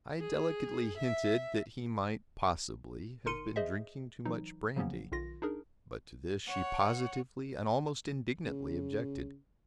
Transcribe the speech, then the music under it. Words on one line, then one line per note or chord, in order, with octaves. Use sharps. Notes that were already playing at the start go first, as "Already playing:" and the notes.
I delicately hinted that he might, possibly, have been drinking too much brandy; but to this she positively and almost indignantly objected.
G#4
E5
G1 D#4 A#4 C6 C#7 D#7
G#4 C5 D#5 E5
E3 F#3 D#4
C#3 F3 F#3 A#3 B3 C#4
B1 D#3 F4 A#6
D4 D#4 G#4 A#4
C#5 F#5
C#3